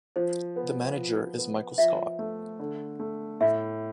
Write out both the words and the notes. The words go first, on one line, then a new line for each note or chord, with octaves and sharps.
The manager is Michael Scott.
F3 C5
B3
F3
B3
F3 E5
A3
D3
A3
A2 E5